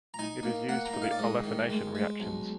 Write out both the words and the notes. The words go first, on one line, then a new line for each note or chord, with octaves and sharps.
It is used for the "olefination" reactions.
A#5
D#4 G#5
A#3
A#3 F#5
A#5
D#4
F5
D5
G#2 D#5
D#3
G#3
G#3
B1